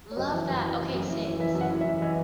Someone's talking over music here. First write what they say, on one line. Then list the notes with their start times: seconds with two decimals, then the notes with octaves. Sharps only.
Love that! Okay, same, same.
0.11 C#5
0.17 F#2 D#5
0.32 E3
0.48 F#2
0.63 E3
0.78 F#2
0.94 F#2
1.10 E3
1.24 E3
1.40 E3 E5
1.55 F#2
1.61 F#5
1.70 E3
1.81 E5
1.85 E3
2.01 E3 D#5